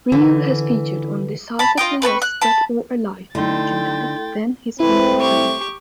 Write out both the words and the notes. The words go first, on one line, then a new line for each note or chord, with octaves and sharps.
Ryu has featured on decisively less "Dead or Alive" merchandise than his female counterparts.
D3 E3
A5 B5
F4 D#5 G5
C4 B4 A5 C#6
F#6
A5 B5
D3 A3 D#4 E4 G5 C6 A6
C2 A3 C4 E4 B4
G4 C#6